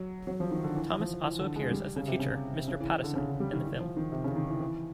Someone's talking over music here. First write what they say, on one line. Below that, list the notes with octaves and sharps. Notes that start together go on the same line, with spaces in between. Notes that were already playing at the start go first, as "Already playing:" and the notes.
Thomas also appears as the teacher Mr. Pattison in the film.
Already playing: F#3
F#3
F3
D#3
D3
E3
F3
E3
D3
G#3
G3
C#3
C3
C#3
C#3
E3
E3
D3
C#3
D3
G3
D#3
E3
F3
D#3
C3
C#3
D#3
E3
E3